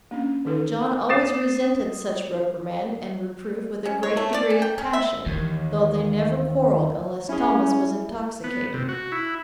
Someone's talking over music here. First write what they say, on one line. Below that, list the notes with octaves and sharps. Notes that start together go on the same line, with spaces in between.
John always resented such reprimand, and reproof, with a great degree of passion, though they never quarrelled, unless Thomas was intoxicated.
A#3 C#4 D4
D#3 E3 D#4 A4 B4
D6 D#6 A6 C7 E7
C#4
C#5
A3
D5
C#4
G5
C#4
E5
D#2 E3
C#4 E4 G#4
B3
C3
F#4
E4